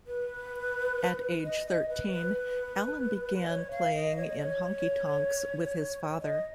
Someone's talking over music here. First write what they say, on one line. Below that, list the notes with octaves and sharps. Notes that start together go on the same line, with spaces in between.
At age thirteen, Allan began playing in honky tonks with his father.
B4
D#5
D#5
B4
B4
D#5
C#5
F5
D#5
C#5
D#5
C#5
D#5